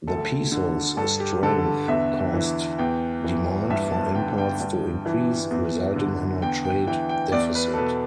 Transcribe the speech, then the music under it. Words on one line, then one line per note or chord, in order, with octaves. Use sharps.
The peso's strength caused demand for imports to increase, resulting in a trade deficit.
D2 A4
D3
G2 A4
G4
D3 A4
E2 E5
E3
E2 G5
E3
G2 E5
A5
D3 G5
G5
G2
E3
E2
D3
E2 G5
G5
E3 G5
G5
E2 D5
B4
A4
B2 B4